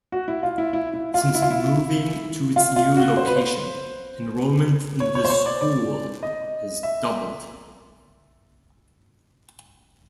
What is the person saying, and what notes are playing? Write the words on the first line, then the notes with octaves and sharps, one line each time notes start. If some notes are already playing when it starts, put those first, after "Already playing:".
Since moving to its new location, enrolment in the school has doubled.
F#4
E4
F4
E4
E4
E4
F4
E4
F4
E4
F4
F4
F#4
C5
B4
C5
C#5
C#5
C5
C#5
D5
D5
D#5
E5